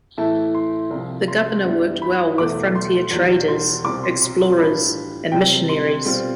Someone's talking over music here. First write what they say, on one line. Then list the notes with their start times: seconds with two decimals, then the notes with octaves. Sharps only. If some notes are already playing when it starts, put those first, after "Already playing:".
The governor worked well with frontier traders, explorers, and missionaries.
0.17 A2 E3 A3 E4 A5
0.55 C6
0.91 C2 C3 F3
1.28 C6
1.64 G2 E3 G3 B3 E4
2.02 B5
2.38 E2 B2 A3 D6
2.75 C6
3.11 E2 B2 G3
3.48 C6
3.84 C2 B2 G3 C4 F4 D6
4.03 C6
4.22 C6
4.58 A2 E3 G3 D4 F4 B5
5.32 C3 G3 C4 G5
5.69 C6
6.05 B2 G3 C4 F4